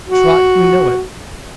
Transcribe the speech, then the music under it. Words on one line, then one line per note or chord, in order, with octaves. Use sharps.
Trot, you know it.'
F#4